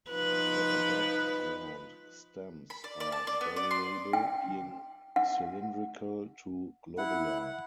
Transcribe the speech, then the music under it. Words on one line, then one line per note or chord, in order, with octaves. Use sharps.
The above-ground stems are variable, being cylindrical to globular.
F3 D#4 B4
B5
D5
D5
A5
D5
B3
D5
C6
G5
F#5
E4 F#5